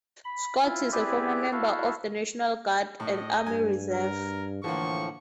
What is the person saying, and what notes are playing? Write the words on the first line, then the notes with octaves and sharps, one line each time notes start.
Scott is a former member of the National Guard and Army Reserve.
B5
E4 F4
C4 E4 G4 G#4 B4 D5
E4 F#4 A4 F5
A2 D#5
G2 G#5
A#4
A2 D3 E3 F3 A#3 C#6